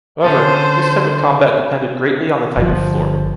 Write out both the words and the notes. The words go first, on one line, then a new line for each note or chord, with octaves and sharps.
However, this type of combat depended greatly on the type of floor.
D3 C#4 A4 C5
G1 F3